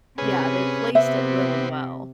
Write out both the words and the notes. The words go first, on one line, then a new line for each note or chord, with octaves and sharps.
Yeah, they placed it really well.
C3 C#4 G#4 B4
C3 B3 C4 E5